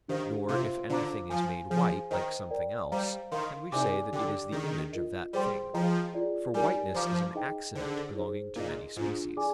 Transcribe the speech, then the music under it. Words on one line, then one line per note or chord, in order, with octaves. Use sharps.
Nor, if anything is made white like something else, can we say that it is the image of that thing; for whiteness is an accident belonging to many species.
D#3 D4 G4 C5 F5
C3 F4 C5 F5 C6
D3 F4 C5 F5 A#5 D6
F3 C5 F5 G#5
F3 G#4 C5 F5 G#5
D#3 C5 D#5 G5 A#5
A#4 D5 G5
G3 C5 F5 A#5
D#3 A#4 F5 C6
C3 D#4 G#4 D5 G#5 D6
D3 G4 D5 G5 D6
D#3 D4 G#4 D#5
F4 A#4 D#5
G3 G#4 C5 G5 C6
F3 G#4 D#5 G5 A#5
F4 G#4 D5
G3 D#4 G4 A#4 D5 G#5
F3 C5 F5 A#5 D6
D#4 G#4 D#5 G5
D3 D#4 G#4 C5
D#4 G#4 C5
A#2 D#4 G#4 D#5
G#2 D4 F4 G#4
G#4 D5 G#5 D6